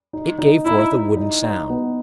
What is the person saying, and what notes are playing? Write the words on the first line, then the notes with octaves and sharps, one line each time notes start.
It gave forth a wooden sound.
D#4
D#4
D#4 E4
D#4
D#4
D#4
B3